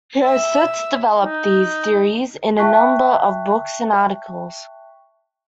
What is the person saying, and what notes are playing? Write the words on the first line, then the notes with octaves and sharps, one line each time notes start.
He has since developed these theories in a number of books and articles.
E5
D#4
E5 G5 A5 C#6 F#6 B6